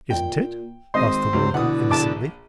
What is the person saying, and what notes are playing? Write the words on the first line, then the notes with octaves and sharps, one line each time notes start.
"Isn't it?" asked the warden, innocently.
A#2 G5
G#1 C4 C5 D#5 C6
C#2 F#3
B2 D3 E3 F#5 D#6
A#1 A5 D6